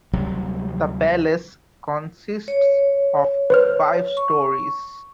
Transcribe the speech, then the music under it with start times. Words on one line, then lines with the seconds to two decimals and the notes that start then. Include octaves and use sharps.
The palace consists of five stories.
0.13 D2 C3 F#3 G3
2.48 C#5
3.50 B4 C5 F6
4.17 C#6